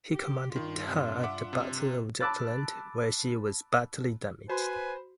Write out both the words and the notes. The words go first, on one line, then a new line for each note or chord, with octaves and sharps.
He commanded her at the Battle of Jutland, where she was badly damaged.
G4
G2 D#3 D4 F4
C3
E5 F#5 D6
C3
A5 B5 D6 E6 F#6 A6
F#4 B4 C5 G#5 B5